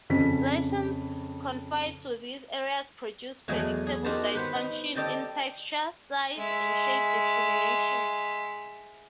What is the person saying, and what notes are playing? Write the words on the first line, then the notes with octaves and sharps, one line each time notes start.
Lesions confined to these areas produce predictable dysfunction in texture, size, and shape discrimination.
F2 C#3 B6
E2 F#3 A3 D#5 G#5
G#4
D#4 F#4 G4 A#4 C5 A5
B4 C5 F#5
D#4
G4 A4 D5 D#5 G5 A5
G#3 E5